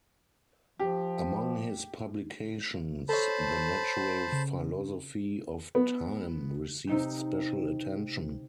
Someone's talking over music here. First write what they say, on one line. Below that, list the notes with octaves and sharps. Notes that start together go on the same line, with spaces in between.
Among his publications, "The Natural Philosophy of Time" received special attention.
F3 G4
A4 C5 C#5 A5 B5
C#3
B3
C3 D#4 G4